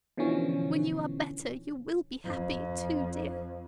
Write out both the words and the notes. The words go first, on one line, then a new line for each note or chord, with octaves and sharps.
When you are better, you will be happy, too, dear.
B2 D3 E3 F3 C#4
F2